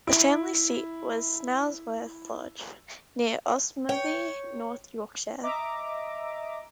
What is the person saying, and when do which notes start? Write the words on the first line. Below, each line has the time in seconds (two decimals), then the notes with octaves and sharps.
The family seat was Snilesworth Lodge, near Osmotherley, North Yorkshire.
0.07 E4 D7
3.89 C#5 G5
5.43 D#5 E5 A#5 D6